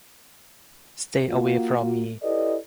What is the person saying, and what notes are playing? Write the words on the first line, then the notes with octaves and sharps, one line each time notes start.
Stay away from me.
A#3 F4 F#4
E4 G4 A4 B4 D5 D#5